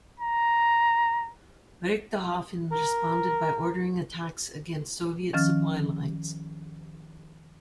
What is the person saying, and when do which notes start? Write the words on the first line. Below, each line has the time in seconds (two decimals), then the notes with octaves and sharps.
Richthofen responded by ordering attacks against Soviet supply lines.
0.20 A#5
2.72 A#4
5.33 D#3 F3 C#4 F6 A6